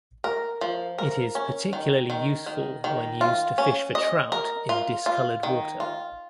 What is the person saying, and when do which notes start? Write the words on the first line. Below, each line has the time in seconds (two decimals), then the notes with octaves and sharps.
It is particularly useful when used to fish for trout in discolored water.
0.24 A#4
0.61 F3
0.98 A#4
1.35 C#4
1.73 D#3
2.10 D#3
2.46 D#3
2.84 D#3
3.21 F4
3.58 C#4
3.95 D#5
4.32 A#4
4.69 F4
5.06 F4
5.43 D#3
5.80 F4